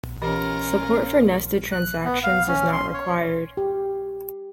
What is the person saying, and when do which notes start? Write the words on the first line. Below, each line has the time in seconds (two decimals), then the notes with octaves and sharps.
Support for nested transactions is not required.
0.22 E3 C#4 F4 G4 A#4 D#5
1.72 F#6
2.05 B3
2.24 F5
2.48 C#4
2.73 C6
2.94 C#5
3.57 G4